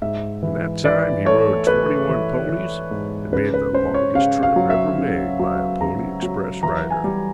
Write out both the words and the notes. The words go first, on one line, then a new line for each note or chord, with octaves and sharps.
In that time he rode twenty-one ponies and made the longest trip ever made by a Pony Express rider.
G#2 E5
E3
E3 D5
A3 C#5
A3 B4
E3
E3
G#2
C#3 B4
B4
C#3 C5
C#5
C#3 F5
F5
F#3
E5
C#3
F#3
C#3 A#5
F#3
E3 A#5
G#5
G3